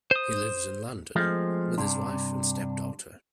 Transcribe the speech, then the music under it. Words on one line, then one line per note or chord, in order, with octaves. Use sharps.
He lives in London with his wife and stepdaughter.
C5 D#6
F3 G#3 A3 C4
G2 C3 D4